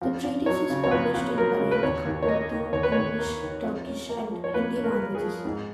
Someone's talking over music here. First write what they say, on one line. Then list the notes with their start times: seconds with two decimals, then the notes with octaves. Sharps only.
The treatise is published in Arabic, Urdu, English, Turkish and Hindi languages.
0.02 F2
0.24 F2
0.46 F#3 C#5
0.70 C#3
0.84 C#5
0.91 F2 B4
1.14 F2
1.37 F#3 A#4
1.59 C#3
1.71 B4
1.82 D#2 C#5
2.05 D#2
2.22 C#5
2.27 A#3 D#5
2.51 D#3
2.72 D#2 C#5
2.83 B4
2.92 D#2 C#5
3.19 A#3
3.41 D#3
3.63 F2
3.86 C#4
4.09 A#3
4.31 F3
4.44 C#5
4.53 F2 B4
4.77 C#4
4.84 A#4
4.92 B4
4.99 A#3 A#4
5.15 G#4
5.22 F3
5.45 G#2